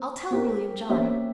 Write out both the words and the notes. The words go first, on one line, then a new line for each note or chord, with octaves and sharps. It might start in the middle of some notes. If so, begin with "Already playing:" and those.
I'll tell William John.
Already playing: C4
C4 G4 A#4
A#3 C#4 G4 C5 E5